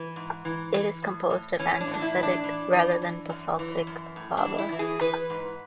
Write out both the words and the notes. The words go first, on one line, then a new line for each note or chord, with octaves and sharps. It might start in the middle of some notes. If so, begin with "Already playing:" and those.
It is composed of andesitic rather than basaltic lava.
Already playing: E3
G#2
E3
E3
A2
A2
E3 C#4
D4
A2
D4
E4
E3
D4
E3
E3
E3
F#2
E3
F#2
A2
D4
E3
E4
E3
G#4
E3 B4
G#2